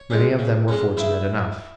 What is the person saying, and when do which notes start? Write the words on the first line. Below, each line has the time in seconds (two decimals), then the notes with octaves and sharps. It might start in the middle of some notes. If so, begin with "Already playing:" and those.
Many of them were fortunate enough.
Already playing: C#5
0.10 G#3 C#4
0.39 C#3
0.68 G#3 C#4
0.97 C#3 E4 E5